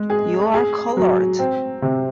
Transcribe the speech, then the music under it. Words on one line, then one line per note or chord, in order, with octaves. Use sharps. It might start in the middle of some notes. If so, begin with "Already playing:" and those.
You are colored!
Already playing: G#3
G#4
G#4
F#3
C4
C3